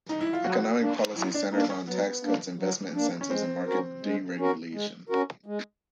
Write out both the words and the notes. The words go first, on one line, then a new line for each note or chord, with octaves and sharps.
Economic policy centered on tax cuts, investment incentives and market deregulation.
D#4
E4
F4
F#3 F#4
A#3 D4
F#3 E4
D4
A#3 D4 D#4
C#4
F#3 B3
A#3 D4
F#3
A#3 D4
C#4
G#3 C4
C#4 F#4 A#4
G#3
C#4 F#4 A#4
G#3
C#4 F#4 A#4
G#3